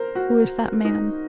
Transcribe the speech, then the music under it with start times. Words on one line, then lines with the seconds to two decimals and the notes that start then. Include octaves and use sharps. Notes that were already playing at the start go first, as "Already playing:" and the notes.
Who is that man?
Already playing: A#4 C5
0.15 F#4
0.85 D#4